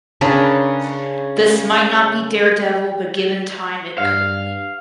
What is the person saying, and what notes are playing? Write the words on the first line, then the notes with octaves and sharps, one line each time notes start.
This might not be "Daredevil" but given time it could be.
C#3 D4 A#4 B4
G2 F5